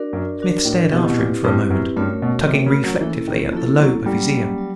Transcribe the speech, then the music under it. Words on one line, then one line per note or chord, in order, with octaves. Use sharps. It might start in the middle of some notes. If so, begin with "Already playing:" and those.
Smith stared after him for a moment, tugging reflectively at the lobe of his ear.
Already playing: D4 F#4 A#4 D5
F#2
D4 F#4 A#4 D5
A2
B2 C4 E4 G4 B4
B2
A#2
G2 C4 E4 G4 B4
F#2
G2 A3 C#4 F#4 A#4 C#5
B2
C3 A3 C#4 F#4 A#4 C#5
C#3
F#3
E3 A#3 C#4 E4 A4
D#3
F3 A#3 C#4 E4 A4
F#3
F#3 G3 A#3 C#4
F#3